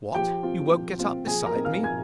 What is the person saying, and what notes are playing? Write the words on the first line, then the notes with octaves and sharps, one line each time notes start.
"What--you won't get up beside me?"
F3 G4 G5
C4 F4
F3
C4 F4
F3 G#4 G#5
A#4 A#5
C4 D#4
F5 F6
F3 G#5 G#6